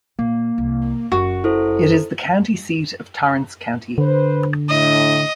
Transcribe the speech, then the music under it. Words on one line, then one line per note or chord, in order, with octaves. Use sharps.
It is the county seat of Torrance County.
A#2 A#3
C2
F#1 F#2 F#4
E4 A4 C5
D3 B4 C5
A2 D4 D#5